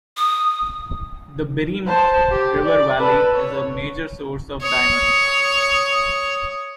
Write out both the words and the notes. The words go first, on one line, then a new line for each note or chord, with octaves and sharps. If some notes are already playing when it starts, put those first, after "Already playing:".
The Birim river valley is a major source of diamonds.
D#6
C5 A5
G4
D5
A4 B4
C#5
C#5 D#6